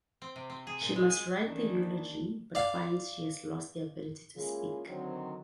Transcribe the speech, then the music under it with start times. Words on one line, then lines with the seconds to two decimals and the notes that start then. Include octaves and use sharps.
She must write the eulogy but finds she has lost the ability to speak.
0.22 C4
0.36 C3
0.50 C4
0.67 G#4
0.81 A#2
0.96 G#3
1.10 G#5
1.46 D#3 E3 A#3 C#4 D4 E4
2.55 D5 F5
4.36 G#3 A#3 C#4 E4 F4 G#4
4.87 D3 D#3 F#3 C4